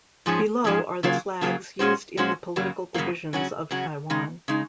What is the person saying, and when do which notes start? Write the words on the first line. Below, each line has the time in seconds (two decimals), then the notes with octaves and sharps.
Below are the flags used in the political divisions of Taiwan.
0.26 G#2 F3 C#4 G#4
0.64 G#2 F3 G#3 C#4 G#4
1.03 C#3 F#3 A#3 F4 G#4
1.41 C#3 F#3 A#3 F4 G#4
1.79 A#2 G#3 C#4 F#4 C5
2.17 A#2 G#3 C#4 F#4 C5
2.56 F#2 C#3 F#3 A#3
2.94 F#2 C#3 F#3 A#3
3.33 C#3 F#3 C#4 F#4
3.71 C#3 F#3 C#4 F#4
4.10 C#3 G#3 D#4
4.48 C#3 G#3 D#4